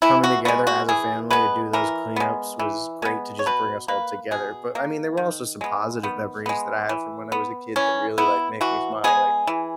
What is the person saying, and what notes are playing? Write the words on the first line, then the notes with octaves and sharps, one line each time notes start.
coming together as a family to do those cleanups was great to just bring us all together, but I mean, there were also some positive memories that I have from when I was a kid, that really like make me smile. Like
E3 E4
F#4
G#3 B3 F#4
F#4
E3 G#4
G#3 B3 B4
E3 A#4
G#3 B3
E3
G#3 B3
C#5
B2 B4
A#3 B4
B2 G#4
A#3
D#3
G#3 B3
D#3 B3
G#3 B3
E3
B3
E3 C#4
B3 E4
E3 F#4
G#3 B3 G#4
E3